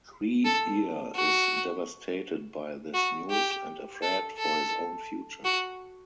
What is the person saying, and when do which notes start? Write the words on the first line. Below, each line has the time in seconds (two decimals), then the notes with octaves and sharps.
Tree-ear is devastated by this news and afraid for his own future.
0.45 A4
1.16 F#4
2.94 F#4
3.30 G4
4.02 A4
4.38 A4
5.45 F#4